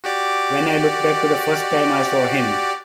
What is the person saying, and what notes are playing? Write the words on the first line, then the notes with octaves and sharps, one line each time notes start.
When I look back to the first time I saw him!
F#4 G4 D5